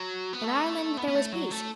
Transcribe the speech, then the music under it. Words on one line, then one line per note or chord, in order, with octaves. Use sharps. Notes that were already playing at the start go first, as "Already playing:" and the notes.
In Ireland there was peace.
Already playing: F#3
B3
A3
B3
B3
A3
F#3
A3